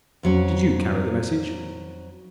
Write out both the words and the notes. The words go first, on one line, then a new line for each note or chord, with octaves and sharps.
"Did you carry the message?"
F2 F#3 C#4